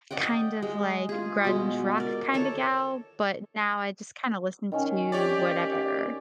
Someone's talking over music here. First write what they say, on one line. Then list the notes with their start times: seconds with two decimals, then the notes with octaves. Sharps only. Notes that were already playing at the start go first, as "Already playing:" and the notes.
kind of, like, grunge rock kinda gal, but now I just kinda listen to whatever.
0.11 D5 D#5 F#5 G5
0.62 G#3
1.09 F4 G#4
1.44 B2 G#3
1.98 A#4 D5
2.33 A4 C#5 A5 A#5
4.72 D#3 C#4 G#5
5.12 G4 C#5 D5